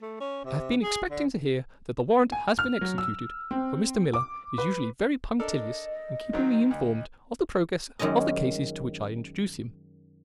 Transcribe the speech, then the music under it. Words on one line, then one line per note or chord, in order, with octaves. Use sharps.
I have been expecting to hear that the warrant has been executed, for Mr. Miller is usually very punctilious in keeping me informed of the progress of the cases to which I introduce him.
A3
C#4
C3
G#4
D3
G#5
F6
F#3
E6
C4
D6
B4
D4 A4 A#4 D#5
D#3 F#3 C4
D2
F#2 D#3 G#3 C#4 D#5